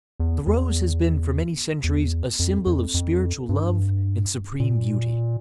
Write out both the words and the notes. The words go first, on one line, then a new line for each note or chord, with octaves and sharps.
The Rose has been for many centuries a symbol of spiritual love and supreme beauty.
E2
E2
E2
F2
F2
F2
G2
A#2